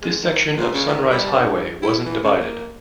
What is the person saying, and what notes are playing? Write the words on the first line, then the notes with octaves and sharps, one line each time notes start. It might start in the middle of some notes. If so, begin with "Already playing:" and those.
This section of Sunrise Highway wasn't divided.
G#3
D#3
A#2
C#3
D#3
G3
G2
E4
E3
C#3
A#3